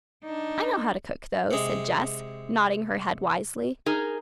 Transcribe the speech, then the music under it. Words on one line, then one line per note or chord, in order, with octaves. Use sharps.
"I know how to cook those," said Jess, nodding her head wisely.
D4 D#4
C3 G#3
D#4 G#4 A#4